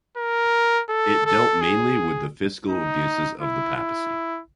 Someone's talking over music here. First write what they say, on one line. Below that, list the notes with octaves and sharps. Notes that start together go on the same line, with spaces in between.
It dealt mainly with the fiscal abuses of the papacy.
A#4
A4
A4
G#4
D#4
E4
E4